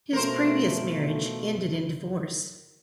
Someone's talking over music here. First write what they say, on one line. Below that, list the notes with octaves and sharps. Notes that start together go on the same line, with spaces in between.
His previous marriage ended in divorce.
B2 F3 A3 A#4 C5